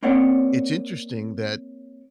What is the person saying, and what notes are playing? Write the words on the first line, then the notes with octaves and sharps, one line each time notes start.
it's interesting that,
A#3 C4 C#4 C#5 D5 F#5